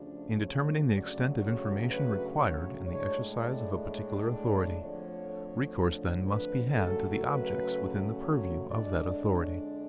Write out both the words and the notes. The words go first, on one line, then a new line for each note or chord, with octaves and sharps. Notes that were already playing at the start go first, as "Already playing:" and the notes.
In determining the extent of information required in the exercise of a particular authority, recourse then must be had to the objects within the purview of that authority.
Already playing: D2 C#3 F3 D4
C#5
D2 C#3 F#3 D5
C#5
B4
C#5
A2 G#3 D4 C#5
D5
C#5
C#5
F2 D3 F3 A3 C#5
B4
F#2 C#3 F#3 A3 A4
B4
C#5
F2 D3 G#3 D4 D5
C#5